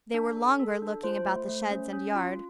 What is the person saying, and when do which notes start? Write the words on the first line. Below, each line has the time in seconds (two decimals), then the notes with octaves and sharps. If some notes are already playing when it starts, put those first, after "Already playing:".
They were longer looking about the sheds and yard.
0.14 D4
0.37 A4
0.59 A4
0.82 D4
1.03 F4 C5
1.26 A3
1.48 A3
1.71 C#4
1.93 C#4
2.15 F4